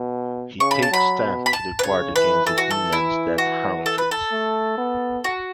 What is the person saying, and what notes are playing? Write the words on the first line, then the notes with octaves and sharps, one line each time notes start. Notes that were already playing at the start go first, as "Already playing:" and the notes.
He takes steps to guard against the demons that haunt it.
Already playing: B2
C#3 C#6
B5
A5
F#3 B5
B2
B5
A5
B4
C#3 C#5
E3 B4
E3 A4
F#4
A4
E3 E4
F#4
A4
B4
A4
A3
B3
F#4